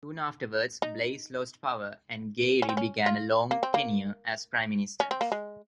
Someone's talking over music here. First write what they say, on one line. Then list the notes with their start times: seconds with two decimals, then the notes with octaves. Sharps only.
Soon afterwards, Blaize lost power and Gairy began a long tenure as Prime Minister.
0.82 D#4
2.62 C#4
2.69 C4
2.77 C#4
3.06 F4
3.51 A#3
3.63 C4
3.74 A#3
5.00 C#4
5.11 C4
5.21 A#3
5.32 G#3